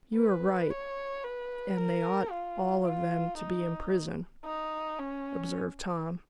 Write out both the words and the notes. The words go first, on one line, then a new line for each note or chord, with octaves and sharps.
"You are right--and they ought all of them to be in prison," observed Tom.
B4
C#5
B4
A#4
F4
F4
D#4
D#4
C#4